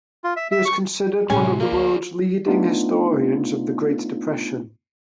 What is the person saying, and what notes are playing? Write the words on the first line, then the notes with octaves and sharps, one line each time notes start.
He is considered one of the world's leading historians of the Great Depression.
F4
E5
E5
C#6
A2 C3 G#3 A3 C#4 G#5
A#3 G#4 D5
D2
A3 B3 D4 D#4 F4